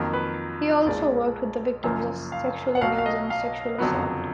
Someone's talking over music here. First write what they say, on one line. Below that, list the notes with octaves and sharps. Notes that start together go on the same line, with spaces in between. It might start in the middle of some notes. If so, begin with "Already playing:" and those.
He also worked with the victims of sexual abuse and sexual assault.
Already playing: F2 D#3 F#3 A#3 A#4
B4
B1 A#2 G#3 D5
F#1 F#2 F3 A#3
F5
F#5
B1 B2 F#3 F5
F5
D#5
F5
F#1 F2 D3 F#3 B3